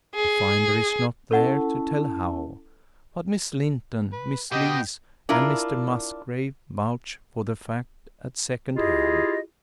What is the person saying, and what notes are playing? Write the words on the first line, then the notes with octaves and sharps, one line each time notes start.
The finder is not there to tell how; but Miss Linton, Miss Lees, and Mr Musgrave, vouch for the fact at second hand.
G#4
C#4 E4 A4 F#5 A5
B4
B2 G4 D#5 G5
D4 E4 F4 A#4
E4 F4 G4 G#4 D#5